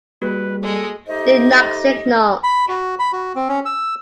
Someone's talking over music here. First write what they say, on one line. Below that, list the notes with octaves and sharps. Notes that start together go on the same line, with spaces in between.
Do not signal.
G3 A#3 F#4 G#4 B4
G#3 A4 D#5
A3 D#4 G4 C5 D#5
B5
F#4
B5
F#4
C4
C#4
E6